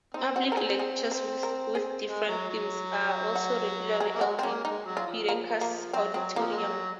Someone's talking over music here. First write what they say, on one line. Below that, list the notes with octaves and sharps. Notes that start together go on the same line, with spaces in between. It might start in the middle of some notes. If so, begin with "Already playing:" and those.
Public lectures with different themes are also regularly held in Heureka's auditorium.
C4 D#4
F#4
C4 A#4
G#4
G#4
C5
A#4
G#4
G#3
F#3
F#3
F#4
F#3 G#4
A#3
G#3 F#4
C4
F#3 A#3 C#4
G#3 D#4
F#3
F4
F3
A#3
A#3
F#3 C4
F#3 C4
C3 F3 A#3
G#3
F#3